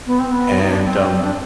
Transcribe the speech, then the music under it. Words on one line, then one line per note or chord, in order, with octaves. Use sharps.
And, um,
B3
C4
B3
D#4
D4
C4
D4